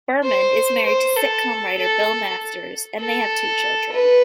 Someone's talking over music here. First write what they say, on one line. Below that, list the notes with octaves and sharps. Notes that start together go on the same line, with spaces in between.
Berman is married to sitcom writer Bill Masters and they have two children.
C5
C5
A4
A4
A4
B4